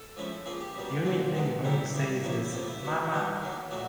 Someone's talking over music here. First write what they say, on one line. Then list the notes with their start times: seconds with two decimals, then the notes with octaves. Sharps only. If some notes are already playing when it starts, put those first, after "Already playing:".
The only thing Bone says is 'Mama.
Already playing: A4
0.16 F3 G#3 C#4 E4
0.46 F3 A#3 C#4 G#4
0.61 G4
0.75 B2 G3 A#3
0.91 F4
1.05 A#2 F#3 A#3
1.35 C3 D#3 G#3 B3
1.64 A#2 G3 C4 D#4 E4
1.94 D#3 G3 A#3
2.24 F3 A#3 C#4 E4
2.45 E4
2.52 A2 F3 A#3 F4
2.68 E4
2.83 B2 F#3 A#3
3.12 B2 G3 B3 D#4
3.41 D#3 F#3 A#3
3.71 A#2 F#3 A3 F#4